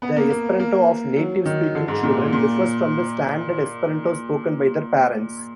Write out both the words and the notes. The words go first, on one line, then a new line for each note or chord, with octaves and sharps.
The Esperanto of native-speaking children differs from the standard Esperanto spoken by their parents.
B3
A#3
A#3
A#3
F#3
D#3
D3
G#2
A#2
A#2